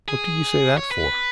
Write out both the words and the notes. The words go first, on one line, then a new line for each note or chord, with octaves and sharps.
What did you say that for?
G#4
C#5
B4